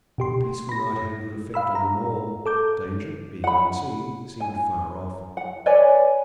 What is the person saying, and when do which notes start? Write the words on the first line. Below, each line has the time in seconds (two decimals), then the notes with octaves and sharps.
The peaceful night had a good effect on them all; danger, being unseen, seemed far off.
0.18 B2 G4 C6
0.69 B5 A#6
1.54 F5 B5 E6
1.75 A#5
2.46 A4 D6 G6
3.44 F#5 B5
4.40 G#5
5.37 F#5
5.66 B4 C#5 D5 G#5